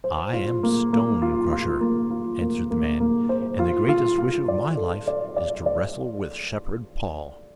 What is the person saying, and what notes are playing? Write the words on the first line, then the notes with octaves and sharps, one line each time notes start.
'I am Stone Crusher,' answered the man, and the greatest wish of my life is to wrestle with Shepherd Paul.'
C5
F4
A#3
A#3
F4
F4
A#3
F4
A#3
A#3
A#3
C5
F4
F4
F4
D5
A4
D5
D5
D5